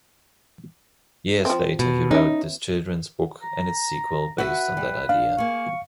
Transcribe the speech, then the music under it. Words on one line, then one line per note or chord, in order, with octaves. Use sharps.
Years later he wrote this children's book and its sequel based on that idea.
F3 C4
B2
C#4 D#4 E4
A#5
F#4 B4 E5
G3
D4 F5
A#3 G#4 C#6